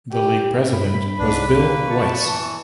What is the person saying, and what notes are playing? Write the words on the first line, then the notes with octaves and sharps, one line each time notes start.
The league president was Bill Weiss.
G4
G2 B5
C2 G#2 D4 B4
A#3
A5 C#6
E3